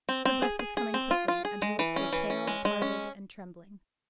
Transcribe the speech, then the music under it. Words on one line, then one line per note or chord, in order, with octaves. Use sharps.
Her breath was coming quickly, and her lips were pale, parted, and trembling.
C4
C4
G#4
G#4
G#4
C4
F4
F4
G#4
G#3
E3
C#4
E3
C#4
G#3
G#3
C#4